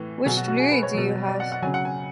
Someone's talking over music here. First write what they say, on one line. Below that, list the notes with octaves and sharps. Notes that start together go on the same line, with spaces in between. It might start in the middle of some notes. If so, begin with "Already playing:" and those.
Which degree do you have?
Already playing: A2 E3
B2 F#3 G#4
F#4
F#4
G#4
B4
C#5
B2 F#3
D5
F#5
F#5
C#3 F#3 G#5
F#5
G#5